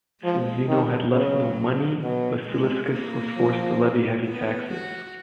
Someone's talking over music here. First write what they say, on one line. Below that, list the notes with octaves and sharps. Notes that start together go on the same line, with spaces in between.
Since Zeno had left no money, Basiliscus was forced to levy heavy taxes.
F3 G#3
D#3
C#3 F#3
B2 F#3
G#3
A#3
F3
B3
F#4